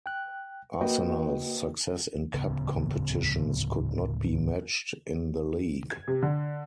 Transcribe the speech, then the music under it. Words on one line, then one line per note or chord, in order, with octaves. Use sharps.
Arsenal's success in cup competitions could not be matched in the league.
G5 F#6
A#3 F#4 B4 D#5 G5
D1 C#3 B3
G#6
C3
D3